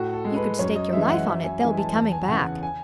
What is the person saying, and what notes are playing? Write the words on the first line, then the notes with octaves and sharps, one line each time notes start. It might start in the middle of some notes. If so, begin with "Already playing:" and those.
You could stake your life on it, they'll be coming back.
Already playing: A2 F#4
A4
G#3
B4
F#2 C#5
D#5
E3 G#3 E5
F#5
F#2 E5
G#5
E3 G#3 G#5
A5
E2 A5
G#5
C#3 E3 F#5
G#5